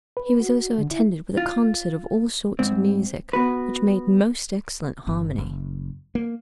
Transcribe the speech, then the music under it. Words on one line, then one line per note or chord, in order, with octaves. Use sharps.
He was also attended with a concert of all sorts of music, which made most excellent harmony.
B4
F#4
D3
E4
F4
G#2 C4
B3 F#4 B4
G1
F#1
A#3